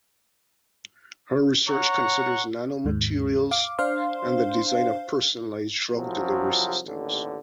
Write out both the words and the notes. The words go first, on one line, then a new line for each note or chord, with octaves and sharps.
Her research considers nanomaterials and the design of personalised drug delivery systems.
C#5 F#5 A#5 C#6
D#2 G#2
F5 D6
D4 C5 F5 C6
C2 F3 F#3
A1 D#2 D3